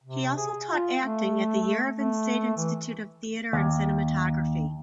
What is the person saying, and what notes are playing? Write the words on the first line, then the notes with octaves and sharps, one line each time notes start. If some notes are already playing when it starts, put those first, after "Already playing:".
He also taught acting at the Yerevan State Institute of Theatre and Cinematography.
C3
G#4
F4
A3
A3
E3
D#2